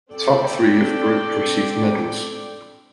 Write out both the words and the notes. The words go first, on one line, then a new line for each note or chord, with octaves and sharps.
The top three of group received medals.
C4 D4 A4 D5 G5